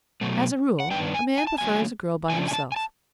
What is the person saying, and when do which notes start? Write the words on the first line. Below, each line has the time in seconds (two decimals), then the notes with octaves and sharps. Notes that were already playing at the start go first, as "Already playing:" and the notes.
As a rule, a man prefers a girl by herself.
0.21 B2 F#3 A3
0.80 F#5
0.91 G2 D#3 G#3 B3 D4 G5
1.15 G#5
1.38 G#5
1.47 A5
1.58 D3 F#3 A#3 G#5
2.30 C#3 F3 A3 D4 G#5
2.48 G#5
2.53 A5
2.72 G#5
2.76 A5